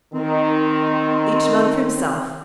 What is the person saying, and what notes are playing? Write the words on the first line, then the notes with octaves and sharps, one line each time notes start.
Each man for himself.
D#3 C4